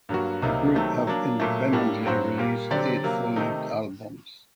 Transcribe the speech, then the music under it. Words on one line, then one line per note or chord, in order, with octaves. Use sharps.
The group have independently released eight full length albums.
G2 F#3 A#3 F#4
C2 C3 F#3 A#3 D#4
C3 D#3 F#3 A3
F#3 A#3 D4
A#2 F#3 A3
A2 G3 A#3 D4
G2 F#3 C4 F#4 C5
A#2 G3 A#3
D3 F#3 C4 G4 D5
C3 F#3 A#3
C3 D#3 A3 D#4